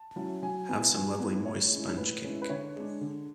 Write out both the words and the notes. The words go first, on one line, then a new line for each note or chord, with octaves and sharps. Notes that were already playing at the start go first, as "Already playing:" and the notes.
Have some lovely moist sponge cake.
Already playing: A5
F#3 C#4 E4
F#3 G#5
B3 E4 G#5
F#3 G#5
B3 E4
A2 C#5
G#3 C#4 E4
A2 B4
G#3 C#4 E4
B4
D3 C#5
G#3 D4
D3